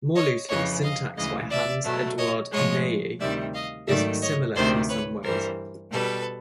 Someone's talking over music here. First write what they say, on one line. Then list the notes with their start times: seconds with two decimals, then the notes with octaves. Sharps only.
More loosely, Syntax by Hans Eduard Meier is similar in some ways.
0.15 C#5 D#5
0.49 F2 C#3 E3 C#5 D#5
0.82 D#5 F5
1.16 D2 C#3 E3 G#3 D#5 F5
1.50 D5 E5
1.84 B2 F#3 A3
2.18 C#5 D#5
2.52 A2 F3 G#3 C#5 D#5
3.19 D2 C3 D#3 G3 D5 E5
3.53 D#5 F5
3.87 G#2 D#3 F#3 A3 D5 E5
4.22 C#5 D#5
4.55 D2 C3 D#3 C5 D5
4.89 B4 C#5
5.23 G2 E3 G3 A#4 C5
5.91 B2 G3 A4 B4